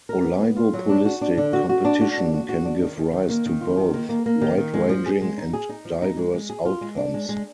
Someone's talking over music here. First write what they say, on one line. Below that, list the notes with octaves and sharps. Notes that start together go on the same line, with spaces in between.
Oligopolistic competition can give rise to both wide-ranging and diverse outcomes.
A#4
B3
B3
F4
F#3
D4
F#4
D4
D3
F#4
F#4
D4
F#4
D4
F#4
F#4
D4
D#3
D#3
D#3
A#3
D#3
F4
D#3
A#3
A#3
A#3
D#3
D#3
G#3
F3
G#4
G#3
D#4
G#4
D#4
F3
D#4
G#3
G#3
G#4
F4
G#3
D4
G#3
G#3